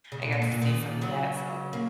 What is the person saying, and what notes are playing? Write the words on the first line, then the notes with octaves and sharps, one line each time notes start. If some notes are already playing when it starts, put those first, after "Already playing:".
I got to see some of that, so
C#3
A#2
A#2
G#2
A#2
A#2 D#3
C#3 F#3
A#3